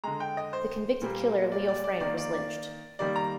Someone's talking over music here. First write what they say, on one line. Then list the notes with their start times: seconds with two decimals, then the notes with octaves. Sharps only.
The convicted killer, Leo Frank, was lynched.
0.04 D3 G#3 A#5
0.20 G5
0.37 D#5
0.53 C5
1.02 A#2 G3 A#3
1.52 D5
1.68 D5
1.84 D5
2.00 D#3 A#3 D5
2.17 D5
2.34 D5
2.99 D#3 G3 A#3 D5
3.16 A#5